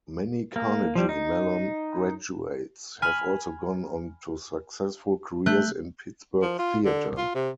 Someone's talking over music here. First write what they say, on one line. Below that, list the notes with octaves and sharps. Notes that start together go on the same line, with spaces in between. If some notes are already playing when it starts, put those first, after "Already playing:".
Many Carnegie Mellon graduates have also gone on to successful careers in Pittsburgh theatre.
A#3
F3 G3
D#4
G#5 B5 F6
A3 F#6 G6
F3
F4
D3
F4
C3